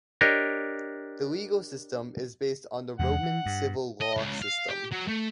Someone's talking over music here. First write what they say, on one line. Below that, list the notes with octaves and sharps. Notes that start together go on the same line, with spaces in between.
The legal system is based on the Roman civil law system.
D4 G4 A#4 C#5 D#5
E2 C3 G#3 F#5
E3
G2
D#5
C#2
F5
G4
F#3
A3